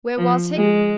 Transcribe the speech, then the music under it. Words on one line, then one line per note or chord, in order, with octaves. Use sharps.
Where was he?
F3
G#3